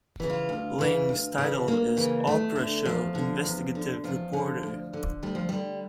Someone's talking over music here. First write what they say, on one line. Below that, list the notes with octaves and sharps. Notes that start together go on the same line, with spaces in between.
Ling's title is Oprah Show Investigative Reporter.
C#3 E3
F4
D2
C#3 E3
D2
C#3 E3
D2 A#3
C#3 E3
E2 A3
D3
E2 F3
D3
E2
D3
E2 F3
D3
D2
D3
D2 G3
F3
D3 G3